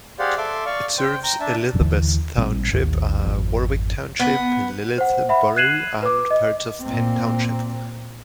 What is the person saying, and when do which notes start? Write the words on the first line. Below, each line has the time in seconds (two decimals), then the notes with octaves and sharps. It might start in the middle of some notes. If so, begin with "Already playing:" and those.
It serves Elizabeth Township, Warwick Township, Lititz Borough, and parts of Penn Township.
0.19 G4 G#4 C5 D5 F5 F#5
0.37 A4 E5 C6 D6
0.66 D5 F5 C#6
0.98 C5 G5
1.24 G5 A#5
1.40 D4 E5 A5
1.81 D#2 D3 E3
2.37 A1 A#2 G3 C4
2.73 A1 D#2 A2
3.23 G#1 F2
4.20 B3
4.98 C5 F#5
5.29 E5 F#5 B5
5.56 F#6 G#6 C7 D#7 E7 F#7
6.02 B4 D6
6.31 D#5
6.83 A#2 C4